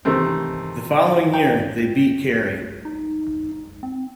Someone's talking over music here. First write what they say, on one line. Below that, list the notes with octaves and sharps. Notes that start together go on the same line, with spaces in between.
The following year they beat Kerry.
C3 D#3 E3 A3 C4
G5
D#4
C4